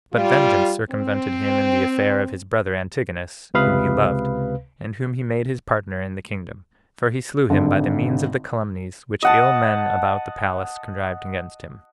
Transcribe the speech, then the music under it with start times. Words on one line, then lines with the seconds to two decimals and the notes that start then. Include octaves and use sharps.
But vengeance circumvented him in the affair of his brother Antigonus, whom he loved, and whom he made his partner in the kingdom; for he slew him by the means of the calumnies which ill men about the palace contrived against him.
0.14 G3 F4
0.90 C4
3.54 C#2 C3 B4 F5 B5 D#6
7.50 G#1 D3
9.23 D#5 F#5 A5